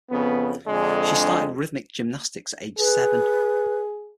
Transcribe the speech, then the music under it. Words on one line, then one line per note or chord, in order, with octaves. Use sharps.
She started rhythmic gymnastics at age seven.
F2 C#3 B3
F2 D3 G#3 D4 G#4
G#4 B4